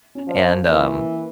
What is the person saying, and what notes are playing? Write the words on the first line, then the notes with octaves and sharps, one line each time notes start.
and, um
C#4
F3
E3 A#3